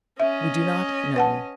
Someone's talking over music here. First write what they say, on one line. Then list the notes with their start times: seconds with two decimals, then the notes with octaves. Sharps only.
We do not know.
0.20 C#4 D#5 E5
1.16 B4 F#5 A5